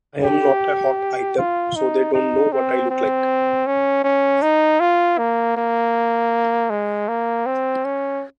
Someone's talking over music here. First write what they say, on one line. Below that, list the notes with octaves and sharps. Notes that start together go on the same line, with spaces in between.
I'm not a hot item, so they don't know what I look like.
G4
F4
D#4
D#4
C4
C4
C#4
C#4
D#4
F4
A#3
A#3
G#3
A#3
C4
C#4